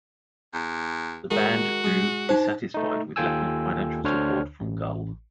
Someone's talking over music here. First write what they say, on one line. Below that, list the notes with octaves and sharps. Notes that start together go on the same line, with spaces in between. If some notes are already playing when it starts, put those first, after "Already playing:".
The band grew dissatisfied with lack of financial support from Gull.
E2
D#3 G#3 F#4
G#3
D4 D#4 C5
A3 D#4
D#2 F4 A4 G5 G#5 E6
D2 D3 D4 C5 C#5 F6
A1